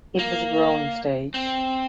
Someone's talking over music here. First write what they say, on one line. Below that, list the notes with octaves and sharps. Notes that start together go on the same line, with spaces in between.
It was a growing stage.
A#3
C4